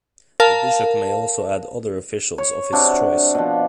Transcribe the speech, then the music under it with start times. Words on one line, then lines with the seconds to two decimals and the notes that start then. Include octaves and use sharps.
The bishop may also add other officials of his choice.
0.40 A#4 F5 A5
2.38 C#5
2.73 C3 D4 F#4
3.35 B2 F3